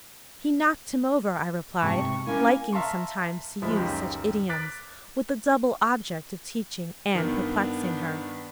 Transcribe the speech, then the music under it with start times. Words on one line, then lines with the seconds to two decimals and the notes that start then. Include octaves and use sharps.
'He knocked him over,' I replied, liking sometimes to use such idioms, with the double object of teaching and perplexing her.
1.81 G#2 C3 A5 C#6
2.27 A#3 C#4 E4 G#5
2.72 E5 F5 A5 A#5 C6 C#6
3.62 D1 F3 G#3 E5 B5
3.76 C#2 F#2 D#3 G4 D#5 C#6
4.49 D6 F#6 A6 B6 D7
7.15 G2 D#3 B3 D4